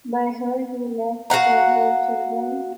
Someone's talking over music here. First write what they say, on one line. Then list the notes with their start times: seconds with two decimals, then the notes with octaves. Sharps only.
By her he left several children.
1.30 F#4 F5 F#5 A#5